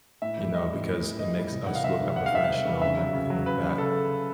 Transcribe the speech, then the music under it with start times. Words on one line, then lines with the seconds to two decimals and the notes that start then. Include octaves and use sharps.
you know, because it makes us look unprofessional," and everything like that,
0.22 A2 E5
0.38 E3 G3
0.54 A2 D#5
0.71 E3 G3
0.86 A2
1.03 E3 G3
1.19 A2 D#5
1.35 E3 G3
1.52 C3
1.66 D#3 G3 F#5
1.75 F5
1.84 C3 E5
2.00 D#3 G3
2.16 C3 F#5
2.26 F5
2.32 D#3 G3 E5
2.44 C3 F5
2.65 D#3 G3
2.82 C#3 E5
2.98 F#3
3.13 C#3
3.30 F#3
3.46 C#3 B4
3.63 F#3
3.78 C#3 A4